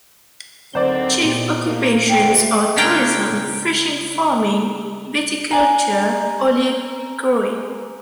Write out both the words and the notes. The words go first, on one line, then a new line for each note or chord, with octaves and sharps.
Chief occupations aretourism, fishing farming, viticulture, olive growing.
D2 D3 D#3 F#3 C4 C5 D5 F#5
A#2 B3 G4
A3 A#3
D2 G5
C#3 C#4 D4 A#4 D5 G5
G#5 A#5